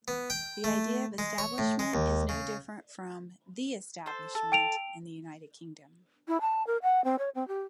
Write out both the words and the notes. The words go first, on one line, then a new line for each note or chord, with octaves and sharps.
The idea of Establishment is no different from "The Establishment" in the United Kingdom.
B3
G5
A3
G#3
C#5
A2
G#3
D#2
C#3
A4 C5
A4
G5 D7 F7
E4
A5
A#4
F#5
C4
C#5
C4
G4